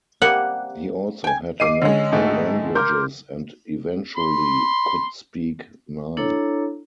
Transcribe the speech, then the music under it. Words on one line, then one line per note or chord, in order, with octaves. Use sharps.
He also had a knack for languages, and eventually could speak nine.
C3 G3 A#3 F#5
G5 G#5
D#5 D6 C7 D#7
D3 G#3 C#4
G#2 D#3 A3
A#4 C6 D6 F6 G6
B5 C6
D4 E4 A4 C#5 A#5